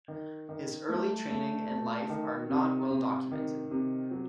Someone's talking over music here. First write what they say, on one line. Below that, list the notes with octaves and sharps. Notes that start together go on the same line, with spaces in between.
His early training and life are not well documented.
D#3
D#3
A3
A3
A3
D#3
C3
C3
D#3
C3
F#3